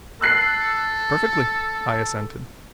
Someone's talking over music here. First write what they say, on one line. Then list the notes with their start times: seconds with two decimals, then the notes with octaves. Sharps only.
"Perfectly," I assented.
0.21 A4 E6 F#6 C7